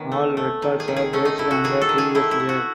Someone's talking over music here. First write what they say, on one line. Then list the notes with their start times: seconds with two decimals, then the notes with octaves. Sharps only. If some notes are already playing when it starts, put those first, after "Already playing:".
All records are based on the previous year.
Already playing: D#3 B3 C#4
0.12 A3
0.37 A3
0.62 D#3
0.80 G#4
0.88 D#3
0.96 G#4
1.13 A3 C#4
1.25 D#4
1.38 A3 E4
1.51 F#4
1.64 D#3 G#4
1.81 A4
1.89 D#3
1.98 G#4
2.15 A3 E4
2.31 E4
2.40 A3
2.49 F#4